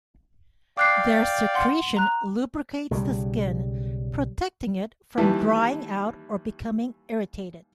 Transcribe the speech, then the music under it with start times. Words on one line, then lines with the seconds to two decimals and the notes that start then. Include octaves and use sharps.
Their secretion lubricates the skin, protecting it from drying out or becoming irritated.
0.77 D5 F5 G5 D6 F#6 C7
1.54 F#5 C6
1.97 A#5 F#6
2.91 B1 C#3 G3
5.17 D#2 E3 G3 E4 A5